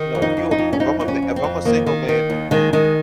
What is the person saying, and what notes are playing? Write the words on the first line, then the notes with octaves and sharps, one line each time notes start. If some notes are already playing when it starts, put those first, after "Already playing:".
You know, if you if I'm a m if I'm a single man,
Already playing: D#3
F2
D#4
F2
D#4
F2
C#4
F2 D#4
F2 D#4
C#4
F2
C4
F2
D#3 A#3
D#3
D#3
D#2
D#3 G#3
D#3 G#3